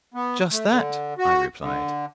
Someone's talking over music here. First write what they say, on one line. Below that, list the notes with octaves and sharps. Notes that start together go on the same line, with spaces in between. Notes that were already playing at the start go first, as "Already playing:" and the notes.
"Just that," I replied.
B3
A3
D3
F#4
D3